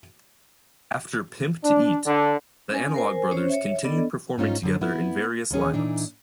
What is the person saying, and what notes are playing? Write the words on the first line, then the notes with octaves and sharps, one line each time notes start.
After "Pimp to Eat", the Analog Brothers continued performing together in various line ups.
D4
D3
C#4 G#5
A#4 C5 G#5
C#4 C5 C#5
C#5 E5
B3 D4 A4 D5 D#5
G#2 C#4 D#4 F4
F#2 D3
B3 E4
D#2 B2 C#4 G#4
A#2 E3 D4 D#4